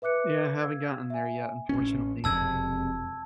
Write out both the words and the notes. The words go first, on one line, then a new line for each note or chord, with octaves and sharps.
Yeah, haven't gotten there yet, unfortunately.
B4 E5 D6 F#6 C#7
F5 E6 G#6
E5 G#5
A1 C#4
E1 F2 C3 A5 E6 G#6